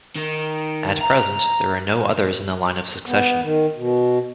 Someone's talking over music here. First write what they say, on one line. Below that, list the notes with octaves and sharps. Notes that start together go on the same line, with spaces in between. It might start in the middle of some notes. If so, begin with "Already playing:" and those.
At present, there are no others in the line of succession.
D#3
A#5
B3
D#3
B2